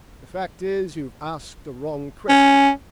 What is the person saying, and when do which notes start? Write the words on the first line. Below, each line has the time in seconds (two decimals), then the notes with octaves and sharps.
The fact is you've asked the wrong question.
2.29 C#4